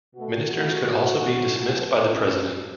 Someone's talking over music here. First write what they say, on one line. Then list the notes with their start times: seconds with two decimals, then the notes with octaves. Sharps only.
Ministers could also be dismissed by the President.
0.15 B2 A3 F#4
0.54 F#2 C#3 E3 A3 F#4
0.93 B2 A3
1.32 F#2 C#3 A3
1.71 E2 B2 F#3 B3
2.10 E2 B2 A3 C#4